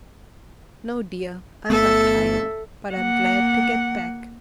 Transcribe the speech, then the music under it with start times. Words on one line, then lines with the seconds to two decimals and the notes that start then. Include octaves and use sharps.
"No, dear, I'm not tired--but I'm glad to get back."
1.70 G1 A3 B3 A4 E5
2.95 A#3 F#5